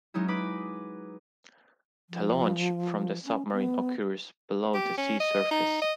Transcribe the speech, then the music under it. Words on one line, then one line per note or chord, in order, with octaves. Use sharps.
The launch from the submarine occurs below the sea surface.
F#3 G#3 C#4 D#4 E4
D#4 B4 B5 D6 B6 D7
F3
C#4
B3
G4
C#4
D#5
D#4
D#5